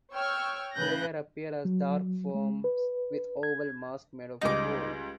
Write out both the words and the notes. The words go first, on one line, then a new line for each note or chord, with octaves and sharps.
Players appear as dark forms with oval masks made of gold.
C#5 G5 C#6 E6 F6
A2 C#3 B4 F#6 G6 A#6
F#3
G#3
B4
G#6
C#2 G3 D#4 D6 A#6